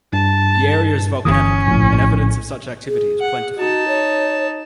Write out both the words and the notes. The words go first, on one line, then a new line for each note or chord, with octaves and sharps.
The area is volcanic, and evidence of such activity is plentiful.
G2 A5
G1 E3 C#4 D#6
A#1 A2
G#4
F#5
D#4 F#4 A5
C#5